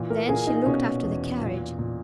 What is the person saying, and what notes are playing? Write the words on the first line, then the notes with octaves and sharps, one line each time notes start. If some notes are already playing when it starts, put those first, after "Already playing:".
Then she looked after the carriage.
Already playing: A#2 E3
A#4
A#2 G#4
D#4
B2 C#4
E2
A#2
A#2